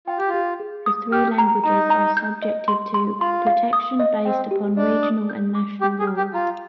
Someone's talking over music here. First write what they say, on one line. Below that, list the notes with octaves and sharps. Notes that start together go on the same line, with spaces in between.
The three languages are subjected to protection based upon regional and national laws.
F4 G5
G4
F4
G4
G#4
D#6
G4 F6
A#5
D#4 A#5
A#5
G6
D#5
C6
C6
F4 C6
F5
D#6
D#5
C4 G5
G4
D4 D#5
D#6
G6
D6
G4 D6
G#4
F6
G4
F4 A#5